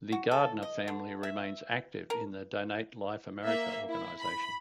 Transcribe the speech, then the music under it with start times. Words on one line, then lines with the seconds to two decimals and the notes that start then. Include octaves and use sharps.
The Gardner family remains active in the Donate Life America organization.
0.12 F#4
0.31 A4
0.62 D#5
0.88 D3
1.23 E5
2.10 A#4
3.43 A#3 E5
3.89 E4
4.21 B5